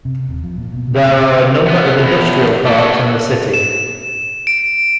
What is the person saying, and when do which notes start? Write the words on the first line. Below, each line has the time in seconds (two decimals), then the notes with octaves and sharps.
There are a number of industrial parks in the city.
0.05 C3
0.29 D#1
0.44 F3
0.58 A#2
0.73 B2
0.91 C#3
1.08 A#2
1.22 D3
1.66 C3 B3
2.00 E2
2.65 A3 F#4
3.54 E7
4.47 D7